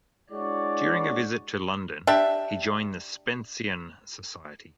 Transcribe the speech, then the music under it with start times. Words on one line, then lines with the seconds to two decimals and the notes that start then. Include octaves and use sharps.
During a visit to London he joined the Spencean Society.
0.30 G#3 D4 E4 F#4 C#5 D5
2.07 D4 G4 E5